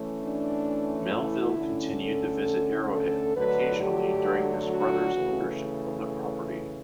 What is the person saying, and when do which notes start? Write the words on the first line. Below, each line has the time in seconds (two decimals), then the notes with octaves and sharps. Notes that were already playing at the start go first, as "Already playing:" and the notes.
Melville continued to visit Arrowhead occasionally during his brother's ownership of the property.
Already playing: E3 A3 C#4
0.22 D4
1.12 E4
1.57 D3 A3 C#4
2.02 A4
2.91 A4
3.35 D3 F#3 A3 D4 B4
3.80 G4
4.69 F#4
5.14 C#3 E3 A3